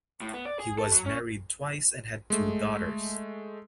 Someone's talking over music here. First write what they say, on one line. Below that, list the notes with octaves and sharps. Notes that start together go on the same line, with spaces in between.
He was married twice and had two daughters.
A2
B3
D5
G#4
A4
F#3
C#4
G#3 A3